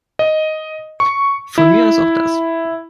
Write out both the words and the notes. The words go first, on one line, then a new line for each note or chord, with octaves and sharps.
Von mir aus auch das.
D#5
C#6
E4